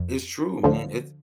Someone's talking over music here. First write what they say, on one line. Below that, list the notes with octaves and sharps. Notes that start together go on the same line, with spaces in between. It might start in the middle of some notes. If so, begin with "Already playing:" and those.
It's true, man, it's
Already playing: F2
D2 D3 F3